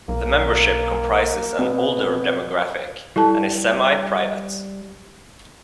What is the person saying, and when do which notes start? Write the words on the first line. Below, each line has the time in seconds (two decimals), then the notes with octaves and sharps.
The membership comprises an older demographic and is semi-private.
0.08 B1 A#3
1.59 B2 C4
3.16 G3 E4 A4 A5